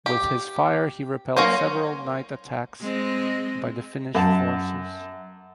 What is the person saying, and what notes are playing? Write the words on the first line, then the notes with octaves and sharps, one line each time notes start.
With his fire he repelled several night attacks by the Finnish forces.
G4
F#3 A#3 C#4 C5
G#3 C4 D#5
F#2 A5